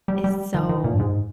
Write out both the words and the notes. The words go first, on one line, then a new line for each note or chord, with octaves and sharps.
is so
G3
G3
D#3
D#3
A#2
G2
G#2